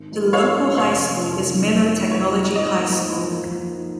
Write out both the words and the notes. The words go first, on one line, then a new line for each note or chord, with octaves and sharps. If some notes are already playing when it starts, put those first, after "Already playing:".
The local high school is Miller Technology High School.
Already playing: G#1
G#2 F3 G#3 D#4
G#1 C#5 F5
G#2 F3 G#3 D#4
F1 C#5 F5
F2 D#3 C#4
F1
F2 D#3 C#4
F2
D#3 G#3 F4
F2 C#5
D#3 G#3 F4
G#2 D#5
F3 A#3
G#2
F3 A#3